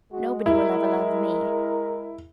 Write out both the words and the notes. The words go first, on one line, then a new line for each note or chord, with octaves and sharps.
Nobody will ever love me.
G#3 F#4
E4 A#4